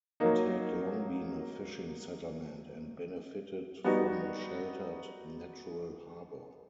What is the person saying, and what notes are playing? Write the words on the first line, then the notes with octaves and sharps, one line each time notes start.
It had long been a fishing settlement and benefited from a sheltered natural harbour.
F#3 A#3 D#4
G3 B3 D#4 F#4